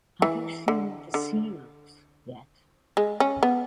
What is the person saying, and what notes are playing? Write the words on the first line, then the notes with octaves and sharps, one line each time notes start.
Have you seen the seals yet?
E3
D3
D3
G#3
C#4
B3